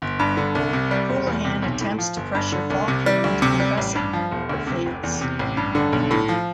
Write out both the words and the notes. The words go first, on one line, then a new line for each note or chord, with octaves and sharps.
Hoolihan attempts to pressure Faulkner into confessing, but fails.
G1
G2
D3
C2
C3
G3
E1
E2
C3
B1
A2
F3
G1
G2
D3
C2
C3
G3
D2
C3
G3
A1
G2
F3
E1
D2
C3
F1
E2
C3
A1
G2
D3
B1
A2
F3